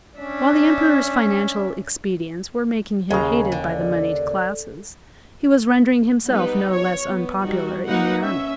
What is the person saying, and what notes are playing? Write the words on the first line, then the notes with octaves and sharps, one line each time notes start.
While the emperor's financial expedients were making him hated by the moneyed classes, he was rendering himself no less unpopular in the army.
C#4 D4 E5
D#2 C#3 G#3 A#5
D3
G3 B3 D#4 G4 B4
C#5
B3
G3 D#4 F#4
A#3 D#4 B4 F#5
C#4 E5